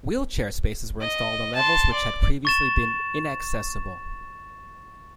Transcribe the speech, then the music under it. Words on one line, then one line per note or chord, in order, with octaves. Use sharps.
Wheelchair spaces were installed on levels which had previously been inaccessible.
D#5
A5 C6
D5
C#6 A6 E7